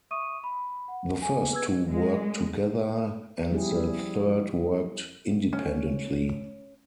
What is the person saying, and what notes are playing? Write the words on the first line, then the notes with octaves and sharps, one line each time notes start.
The first two worked together, and the third worked independently.
E5 C#6 D#6 D#7
B5
F#5
G#5
G#4 B4 E6 G#6
G#3
F3 G3 C#4 E4 G4 G#4
C#4